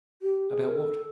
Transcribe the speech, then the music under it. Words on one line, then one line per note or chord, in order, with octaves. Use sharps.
"About what?"
G4
G#4
A#4
A4